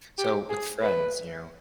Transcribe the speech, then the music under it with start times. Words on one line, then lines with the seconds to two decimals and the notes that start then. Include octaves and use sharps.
so with friends, you know,
0.18 G4
0.50 G#4
0.82 B4